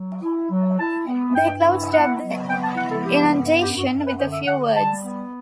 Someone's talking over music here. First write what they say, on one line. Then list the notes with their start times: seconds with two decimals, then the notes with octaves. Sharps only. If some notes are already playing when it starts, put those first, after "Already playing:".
They closed up the inundation with a few words.
Already playing: F#3
0.22 E4
0.50 F#3
0.79 E4 A5
1.07 B3
1.35 G2 G5
1.63 E4
1.91 B3 F#5
2.20 F#3
2.48 B3 G5
2.63 A5
2.76 E4 F#5
2.91 A4
3.05 B3 G4
3.34 G2
3.62 F#2 G4
3.77 F#4
3.90 F#2
4.05 B4
4.19 D3 C5
4.32 E5
4.47 D3 F#5
4.75 G3 A5
5.04 B3